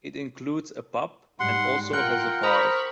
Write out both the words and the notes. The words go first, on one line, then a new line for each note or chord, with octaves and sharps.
It includes a pub, and also has a park.
G#2 G3 F#5 C6
F4 A#4 F#5 G5 F#6
C5 A#5 B5 C#6 D#6